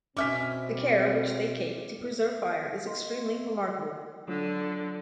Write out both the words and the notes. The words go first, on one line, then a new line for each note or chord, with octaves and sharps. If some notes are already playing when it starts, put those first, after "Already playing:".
The care which they cake to preserve fire is extremely remarkable.
B2 C4 C#4 E5 D6 F6 B6
D#5 C6
D3 F#3 F4